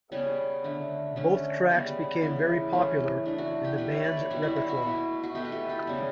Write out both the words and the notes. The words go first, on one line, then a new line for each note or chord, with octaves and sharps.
Both tracks became very popular in the band's repertoire.
C#3 G3 B3 C#4
D3 A3
D3 A3 C#4
C#3 G3 B3
C#3 E3 B3
E3 A3 C#4
E3 A3 D4
F#4
G4
B2 A3 B4
C#5
D5
C#5
B2 G3 B3 F#4
E4
E4
F#4
B2 A3
F#4
B2 A3 G4
B4
A4
G4
C#3 G3 B3